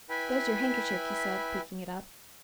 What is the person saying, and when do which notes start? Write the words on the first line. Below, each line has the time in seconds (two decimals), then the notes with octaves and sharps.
"There's your handkerchief," he said, picking it up.
0.09 E4 B4 E5 G5 G#5 B5